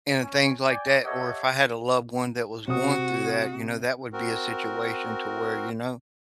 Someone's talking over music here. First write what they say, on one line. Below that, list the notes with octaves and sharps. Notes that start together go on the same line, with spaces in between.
and, things like that. Or if I had a loved one that was going through that, you know, that would be a situation to where, you know,
C#4
D5 G5 G#5
G4 A4 C#5 D#5 E5 F#5
C3 F#4 D#6
C4 F#4 A#4